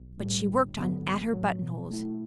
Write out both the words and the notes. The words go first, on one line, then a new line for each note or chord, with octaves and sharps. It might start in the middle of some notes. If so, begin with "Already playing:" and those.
But she worked on at her buttonholes.
Already playing: B1
A2 G3
G1
G2 D3 F#3 B3
A1
A2 F#3
B2
A3 E4